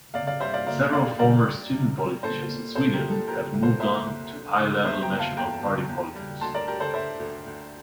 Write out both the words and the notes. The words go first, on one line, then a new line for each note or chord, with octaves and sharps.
Several former student politicians in Sweden have moved on to high-level national party politics.
C3 D5 F5
D5 F5
G3 C5 E5
D5 F5
A#3 D5 F5
A#3 D5 F5
G3 A#4 D5
G3
C3
G3
A#2 A4 C5
A#2
C2 A4 C5
G4 A#4
F3
A4
F3 G4 A#4
C2
A4 C5
A#3 C5 E5
C2
D3
D3
E2 C5 E5
G5 A#5
E2
F5 A5
E2 G5 A#5
E2
E2
G3
D2 A5 C6
A#4 D5
A3 G4 A#4
A4 C5
D3 C5 E5
D2
D2